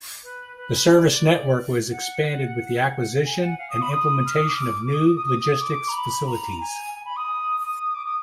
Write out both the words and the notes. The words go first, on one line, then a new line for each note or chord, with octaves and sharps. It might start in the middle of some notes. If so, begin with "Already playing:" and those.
The service network was expanded with the acquisition and implementation of new logistics facilities.
B4
B4
D5
F#5
G#5
F#5
F5
D#6
B5
D#6
F6
D#6
D6
D6
D#6
D#6
D#6
D#6
D6
A#5
B5
A#5
G#5
G#5
B5
D#6
D#6
D6
D#6